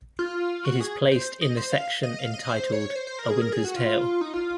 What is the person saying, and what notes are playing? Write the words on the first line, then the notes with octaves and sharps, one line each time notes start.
It is placed in the section entitled "A Winter's Tale".
F4
F#4
G#4
C5
D#5
C5
F5
D#5
F5
D#5
C5
C#5
C5
C5
A#4
G#4
A#4
G#4
F#4
F4
D#4
F4